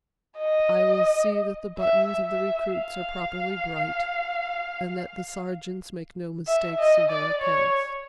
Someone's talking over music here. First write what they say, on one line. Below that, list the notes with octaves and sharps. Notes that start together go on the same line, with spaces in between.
I will see that the buttons of the recruits are properly bright and that the sergeants make no mistakes in their accounts.
D#5
E5
E5
F5
E5
D#5
D5
C#5